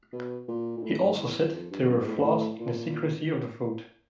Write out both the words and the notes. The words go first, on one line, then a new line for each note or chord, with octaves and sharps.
He also said there were flaws in the secrecy of the vote.
B2
A#2
A#2
A2
G#2
E2
F2
G2
F#2
G#2
A2
G#2
A2
A#2